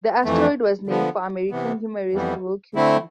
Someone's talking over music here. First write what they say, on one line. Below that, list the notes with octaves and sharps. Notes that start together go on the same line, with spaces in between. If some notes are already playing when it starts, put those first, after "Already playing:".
The asteroid was named for American humorist Will Cuppy.
F2 E3 A3
D3 F3 B3
C3 E3 B3
F2 E3 G3 B3
D3 A3 C4 E4